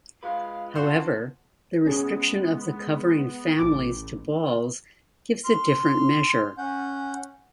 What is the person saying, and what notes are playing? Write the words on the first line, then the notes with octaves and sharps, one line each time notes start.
However, the restriction of the covering families to balls gives a different measure.
G#3 F4 B4 F5
C#3 F4 F#4 C5 F#5 A5
G#3 B3 C#4 G#4
A1 A2 D6
C6 F6
C#4 F#5 G6